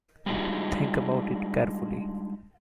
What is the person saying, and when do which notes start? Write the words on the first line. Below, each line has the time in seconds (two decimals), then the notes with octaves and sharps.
Think about it carefully.
0.26 G3 G#3 D4 D#4 F4 F#4